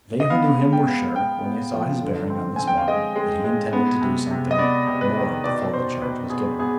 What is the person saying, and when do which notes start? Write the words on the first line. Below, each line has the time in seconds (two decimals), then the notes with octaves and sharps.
They who knew him were sure, when they saw his bearing on this morning, that he intended to do something more before the charge was given.
0.20 D#5
0.30 B3 F5
0.58 G#3
0.73 G5
0.87 B3
1.15 B3 G5
1.44 B3
1.73 F3
2.01 D3
2.30 C4
2.56 C4 G#5
2.68 G5
2.77 F5
2.88 G#3 D#5
3.16 G#3
3.44 G#3
3.73 B3
4.02 C3
4.31 C3
4.51 D#5
4.58 B3 D5
4.87 C3
5.01 B4
5.17 D#3
5.44 B2 D5
5.73 B2 C5
6.01 B2 B4
6.30 B3 G#4
6.59 B3 G#4